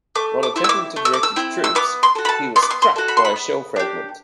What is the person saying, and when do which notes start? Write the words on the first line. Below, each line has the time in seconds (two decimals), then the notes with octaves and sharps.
While attempting to direct his troops, he was struck by a shell fragment.
0.15 A3 D6
0.43 D6
0.56 C4 E4
0.64 E6
0.69 D6
0.96 A3
1.05 E6
1.13 D6
1.23 E6
1.36 C4 E4
1.64 E6
1.75 B3 D6
2.03 C6
2.15 F#4 A4
2.25 B5
2.29 A5
2.56 B3 C6
2.62 D6
2.70 C6
2.82 C6
2.96 F#4 A4
3.08 B5
3.17 C6
3.25 B5
3.36 B3
3.76 D4 G4